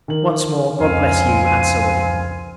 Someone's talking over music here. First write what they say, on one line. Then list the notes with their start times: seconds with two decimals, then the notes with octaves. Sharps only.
Once more, God bless you and Sir William.
0.08 D#3 A#4 F#7
0.80 F1 C#2 C4 F5 G#5